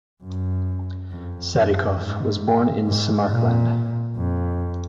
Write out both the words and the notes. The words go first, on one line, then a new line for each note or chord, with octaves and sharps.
Sadikov was born in Samarkand.
F#2
F2
F#2
G#2
G#2
A#2
F2